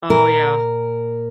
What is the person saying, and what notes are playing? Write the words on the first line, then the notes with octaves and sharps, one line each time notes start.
Oh, yeah.
A#2 A#4